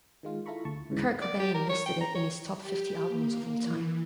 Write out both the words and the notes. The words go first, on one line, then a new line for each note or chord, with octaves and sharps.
Kurt Cobain listed it in his top fifty albums of all time.
D#3 G#3 F4
E4 F4 A4 A#5 B5 C#6
D2 A5 C#6
D2 G#2 C#3 E3
D5
G4
A#4
C#5
G5
A#5
C#5
G4
A#3
E3